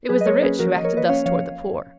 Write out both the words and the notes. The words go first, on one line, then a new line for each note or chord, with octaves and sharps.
It was the rich who acted thus towards the poor.
F#3 G#4 B4
D#5
A#3 A#4 C#5
C#4 G#4 B4
F3 F#4 A#4
F3 D#5
A#4 C#5
A#3 B4 D#5
C#4 C#5 F5
F3 C#5 F5